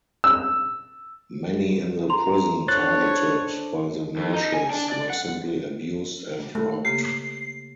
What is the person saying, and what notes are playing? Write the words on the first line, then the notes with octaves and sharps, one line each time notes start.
Many in the prison targeted by the militias were simply abused and robbed.
E6
A#5 C6
D4 A4 C5 C#5 F#6 A6
F2
D#4
G#5
D4
D5
F#5
A3
C#3 A#3 G4 C7